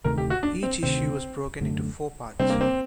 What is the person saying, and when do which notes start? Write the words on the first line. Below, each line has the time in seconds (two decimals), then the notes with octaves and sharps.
Each issue was broken into four parts.
0.04 D2 C3 D#3 A3 A#4
0.18 G4
0.30 F#4
0.43 D4
0.63 C4
0.83 D2 C3 D#3 C4
1.61 F#2 D3 A3
2.39 C3 G3 C4 D4
2.50 A#3
2.61 C4